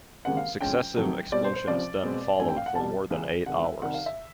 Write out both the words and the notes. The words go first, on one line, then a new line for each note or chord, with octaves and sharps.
Successive explosions then followed for more than eight hours.
D#2 C#3 E3 G#3 C4 F#5
F5
F2 D3 F3 G#3 C#4 G5
F2 C3 D#3 F#3 A3
B2 G3 C4 D5
C5
C5
C#2 C3 F3 D5
B2 G#3 C4
G2 E3 A3 C4 G#5
G5
F5
F#5
C2 B2 G3 A5
C#2 C#3 E3 G#3
C3 D#3 G#3 F#5
E5
C2 C3 D#3 F#5
F5
E5